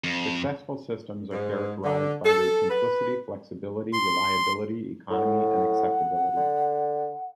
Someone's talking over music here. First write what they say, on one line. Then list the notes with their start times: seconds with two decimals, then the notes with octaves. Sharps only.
Successful systems are characterized by their simplicity, flexibility, reliability, economy, and acceptability.
0.04 F2
1.33 G#2
1.85 D3
2.25 A4
2.70 B4
3.93 C6
5.11 A2 F#5
6.37 D3